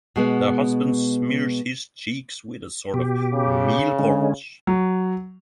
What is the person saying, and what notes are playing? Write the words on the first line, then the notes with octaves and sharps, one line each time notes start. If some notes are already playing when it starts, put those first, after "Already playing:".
The husband smears his cheeks with a sort of meal-porridge.
B2 G#3 B3
B2 G4
C#3
D3 G#3 C#4
F#3